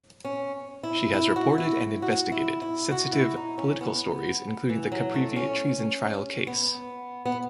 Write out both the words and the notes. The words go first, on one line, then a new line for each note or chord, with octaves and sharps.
She has reported and investigated sensitive political stories including the Caprivi treason trial case.
C#4
E4
E4
F#4
E4
F#4
E4
E4
F#4
E4
D#4
C#4
B3
E3
F#3
A3
C#4
B3
B3